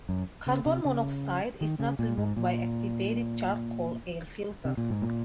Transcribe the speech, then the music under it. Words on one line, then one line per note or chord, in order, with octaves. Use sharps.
Carbon Monoxide is not removed by activated charcoal air filters.
F#2
C#3
C3
C#3
D#3
C#3
A#2
G#2
A#2
C3
A#2
G#2
A#2